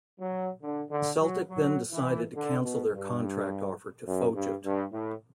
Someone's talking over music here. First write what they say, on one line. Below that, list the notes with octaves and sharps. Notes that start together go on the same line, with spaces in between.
Celtic then decided to cancel their contract offer to Fojut.
F#3
D3
D3
F#3
F#3
E3
D3
B2
G2
F#2
G2
G2
A2